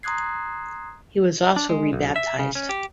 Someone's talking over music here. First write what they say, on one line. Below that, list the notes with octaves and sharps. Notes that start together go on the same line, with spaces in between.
He was also rebaptised.
A#5 C6 D#6 F#6 G#6 C7
D4
G#3
B1
E5
C#3
C#4
G4